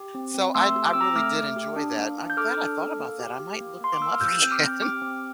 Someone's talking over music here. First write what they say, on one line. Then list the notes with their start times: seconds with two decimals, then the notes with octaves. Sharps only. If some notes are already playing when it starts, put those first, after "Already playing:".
so I I really did enjoy that. I'm glad I thought about that. I might look them up again
Already playing: G4
0.15 C4
0.34 C4
0.55 A3 C6 E6
0.76 G4
0.85 D6
0.93 C4 E6
1.01 A#5 D6
1.15 A3 D6 F6
1.36 A3
1.56 G4
1.76 D4
1.96 A#3
2.18 D4
2.30 G6
2.37 A4 D6 F6
2.59 D4
2.78 A4
2.99 A#3
3.20 G4
3.40 G4
3.60 A#3
3.81 A#3 C6
3.93 D6
4.00 A#3 E6
4.12 F6
4.20 G4 E6 G6
4.42 C4 G6
4.51 D6 F6
4.62 C4
4.82 G4 D6 F6
5.02 C4